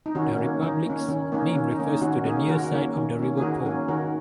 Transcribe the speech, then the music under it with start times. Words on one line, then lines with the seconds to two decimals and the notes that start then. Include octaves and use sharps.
The republic's name refers to the "near side" of the River Po.
0.06 D#4
0.15 D#3 C#4 F#4
0.38 A#3 C#4
0.62 D#3 D#4
0.86 A#3 C#4
1.09 D#3 C#4
1.32 A#3 C#4 D#4
1.56 D#3 C#4
1.71 D#4
1.79 A#3 C#4
1.86 D#4
2.01 D#3 C#4 F#4
2.25 A#3 C#4 D#4 G#4
2.48 D#3 F#4 A#4
2.72 A#3 C#4
2.96 D#3
3.19 A#3 C#4
3.37 G#4
3.41 D#3 F#4 A#4
3.65 A#3 C#4
3.88 D#3 F#4 A#4